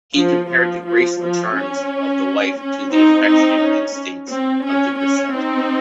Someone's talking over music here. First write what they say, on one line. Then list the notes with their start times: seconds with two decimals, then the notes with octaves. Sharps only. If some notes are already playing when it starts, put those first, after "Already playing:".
He compared the graceful charms of the wife to the affectionate instincts of the grisette.
0.17 F3
0.51 F3
0.86 F3
1.21 F3
1.54 C#4
2.58 C#4
2.93 C4 D#4
3.27 C4 D#4
3.62 C#4
4.31 C4
4.66 C#4
5.00 C#4
5.34 C4 D#4